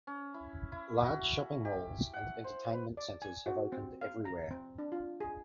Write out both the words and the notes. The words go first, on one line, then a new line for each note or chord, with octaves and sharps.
Large shopping malls and entertainment centers have opened everywhere.
C#4
E4
E4
F#4
G4
F#5
C5
B4
D5
G#5
F#4
C4
F5
A#5
C4
D4
F4
G#4